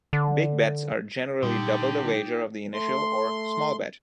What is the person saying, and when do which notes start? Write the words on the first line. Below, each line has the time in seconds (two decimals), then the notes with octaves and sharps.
Big bets are generally double the wager of the initial or "small bet".
0.13 D3
1.43 A#2 D3 G3 D#4 G4
2.74 A3 C6